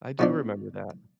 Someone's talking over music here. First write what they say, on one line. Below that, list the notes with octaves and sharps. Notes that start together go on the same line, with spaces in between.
I do remember that.
B2 F3 D4